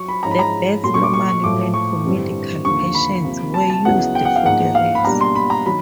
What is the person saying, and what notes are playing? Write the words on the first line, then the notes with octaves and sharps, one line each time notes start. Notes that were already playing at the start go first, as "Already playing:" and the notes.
The beds normally meant for medical patients were used for the rapes.
Already playing: F#3 C#6
B5
G#2 F3 G#3 C#4 E4 A#5
B5
A#5
A#2 F#3 A3 C6
C#6
D6
C#6
C#6
A2 F3 A3 D6
C#6
G2 D3 G3 C4 E4
D#2 D3 F3 A#3 C#6
B5
C3 F3 A#3
A5
A5
C#2 C#3 F#3 B3 E4 F#5
G5
F#5
F5
G#2 F3 A#3 F#5
F5
B5
B2 G3 A#3 D4 A#5
C6
B5
A#5
D#3 F#3 B5